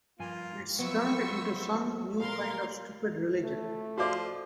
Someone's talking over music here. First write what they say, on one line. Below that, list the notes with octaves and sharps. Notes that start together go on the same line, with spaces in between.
It's turned into some new kind of stupid religion...
G2 F3 A#3 F4 G#5
F3 F#3 B3 C4 B4 E5 C#6 E6
A#2 A#4 F5 C6
A3
F3 F4 F#4 C5 D5 E5 D6